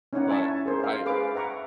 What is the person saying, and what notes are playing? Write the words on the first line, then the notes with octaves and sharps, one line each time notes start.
But I
C#4 D#4 E4 C#5 D5 F#5
E4 E5 G#5 A5 C#6
G#4 A#4 C5
C5 D#5 F5
G#4 B4 F5 D6
E5 F#5 A#5 C#6 D6